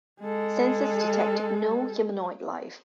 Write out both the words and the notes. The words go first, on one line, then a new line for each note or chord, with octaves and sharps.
Sensors detect no humanoid life.
G#3 A4